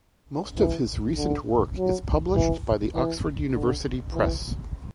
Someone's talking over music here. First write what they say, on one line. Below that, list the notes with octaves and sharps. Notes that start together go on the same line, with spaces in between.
Most of his recent work is published by the Oxford University Press.
E3
D3
F#3
E3
E3
D3
E3